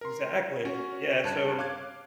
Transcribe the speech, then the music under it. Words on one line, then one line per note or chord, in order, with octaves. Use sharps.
Exactly. Yeah, so
A#4 C6
C#4 F#4
G2 A5 F#6 G#6
F5 D6 F#6 G#6